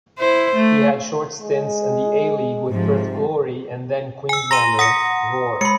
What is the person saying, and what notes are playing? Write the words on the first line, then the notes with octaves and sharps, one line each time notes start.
He had short stints in the A-League with Perth Glory and then-Queensland Roar.
E4 C5
A3
G#3
G#2 C3 F3
G#5 E6
A#5 C6 A#6 D#7
F#5 D#6 A#6 C#7
G#3 B5 C#7